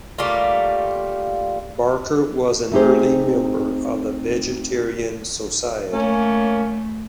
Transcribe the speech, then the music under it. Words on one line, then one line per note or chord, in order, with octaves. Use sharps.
Barker was an early member of the Vegetarian Society.
G3 A3 A#3 F4
A3 C4 D#4 G4 G#4 C5
A3 A#3 C#4